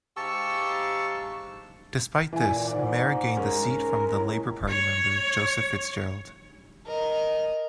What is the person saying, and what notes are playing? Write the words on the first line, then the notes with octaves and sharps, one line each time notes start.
Despite this, Mair gained the seat from the Labor party member, Joseph Fitzgerald.
G#2 G4 F5 A5 C#6 E6
A#2 E3 G#5
G#2 D5
G#3 C#4 A#4
A2
C#5
A#4 D#5